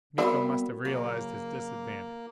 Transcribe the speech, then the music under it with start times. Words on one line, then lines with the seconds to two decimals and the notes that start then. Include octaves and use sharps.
Miko must have realized his disadvantage.
0.18 G3 B3 C4 F#4 A#4 D5 E5 F5
0.85 C#3 F#3 A#3